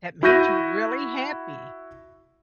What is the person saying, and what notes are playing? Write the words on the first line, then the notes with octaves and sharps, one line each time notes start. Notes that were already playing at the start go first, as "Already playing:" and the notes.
that made you really happy?
E4 F#4 C#6 G6 A#6 D#7